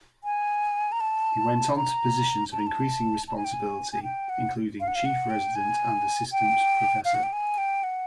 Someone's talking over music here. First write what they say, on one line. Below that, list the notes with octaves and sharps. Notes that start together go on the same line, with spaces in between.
He went on to positions of increasing responsibility, including Chief Resident and Assistant professor.
G#5
A#5
A5
A#5
A5
A#5
A5
A5
G#5
G5
G#5
G#5
G5
F#5
F5
F#5
F5
F#5
G5
G#5
G5
F5
F#5
G5
G#5
G5
F#5